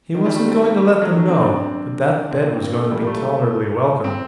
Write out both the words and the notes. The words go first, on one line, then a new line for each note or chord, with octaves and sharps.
He wasn't going to let them know, but that bed was going to be tolerably welcome.
D#3
G3
A3
C4
A#3
A3
F#3
D#3
C4
D4
C4
D4
D4
C4
A#3
C4
A#3
A3
G3
A#3
A3
C4